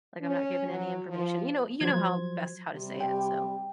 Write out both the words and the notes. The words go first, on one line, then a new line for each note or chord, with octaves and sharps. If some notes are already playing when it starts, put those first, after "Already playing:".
like, I'm not given any information." You know you know how best how to say it. So
C#4
F#3
F3
F3 F#3 C5 G#6
C3 G3
G5